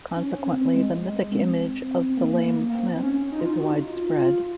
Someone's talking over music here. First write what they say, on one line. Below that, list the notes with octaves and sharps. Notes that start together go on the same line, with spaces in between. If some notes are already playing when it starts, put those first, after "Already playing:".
Consequently, the mythic image of the lame smith is widespread.
C#4
C4
G#3
G#3
C4
C4
A#3
A#3
A#3
C4
C#4
D#4
F4
D#4
F#4
F4
D#4
F4
F4